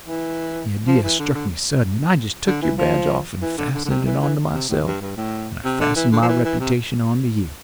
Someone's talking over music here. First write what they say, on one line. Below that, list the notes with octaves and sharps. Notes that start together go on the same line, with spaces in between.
The idea struck me sudden, and I just took your badge off and fastened it onto myself, and I fastened my reputation onto you.
E3
F3
E3
D3
D3
D3
E3
F3
E3
D3
D3
D3
C3
E3
E3
C3
A2
G2
G2
A2
C3
D3
E3
D3
F3
E3
E3
C3